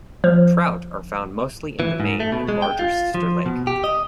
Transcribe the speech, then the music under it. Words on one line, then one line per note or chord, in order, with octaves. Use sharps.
Trout are found mostly in the main and larger sister lake.
F3
E3
G#2
A3
B2
G#3
G5
F4
F3
B2
G4
D#5